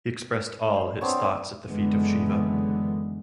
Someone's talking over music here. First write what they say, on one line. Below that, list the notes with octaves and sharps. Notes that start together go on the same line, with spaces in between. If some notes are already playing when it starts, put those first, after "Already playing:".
He expressed all his thoughts at the feet of Shiva.
C5
B3 C4 D4 C#5
F#1 D3 E3 G#3 B3